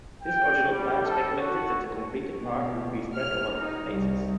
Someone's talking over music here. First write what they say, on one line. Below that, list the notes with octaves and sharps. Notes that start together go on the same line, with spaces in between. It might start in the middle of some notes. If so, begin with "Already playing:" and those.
This original plan speculated that the completed park would be spread over ten phases.
G5
G3
A4
F#4
B2
F6
D#4
C2